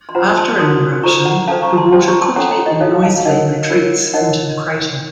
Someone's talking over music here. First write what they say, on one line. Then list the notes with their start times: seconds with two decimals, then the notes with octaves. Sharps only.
After an eruption, the water quickly and noisily retreats into the crater.
0.09 C6
0.15 F4 C5 F#5 A#5
0.36 A5 C6
0.59 D#4 F#4 A#4 C6 D#6
1.03 F4 A4 C5 A#5 C#6
1.25 F#5 A#5
1.47 C#4 A4 C5 F5 A5
1.62 A#5 C#6
1.77 A5 C6
1.92 C#4 F4 C5 A5 C6
2.07 A#5 C#6
2.21 A5 C6
2.36 C#4 A4 C#5 F#5 A#5
2.51 F#5 A#5
2.66 D#5 F#5
2.80 D#4 F#4 A4 C#5 F5
3.03 F5 A5
3.25 D#4 A#4 C#5 D#5 F#5
3.69 F4 A#4 C#5
4.14 D#4 A#4 C#5 D#5 F#5